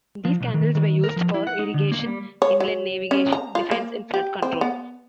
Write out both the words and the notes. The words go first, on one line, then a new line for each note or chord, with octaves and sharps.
These canals were used for irrigation, inland navigation, defense, and flood control.
F3
B1
D#3
D#3
A#4
F3
E4
F#5
D#4
D3
A#3
G3
C#5
F#3
C#4
A#5
F4
A#3
G4
C4
B3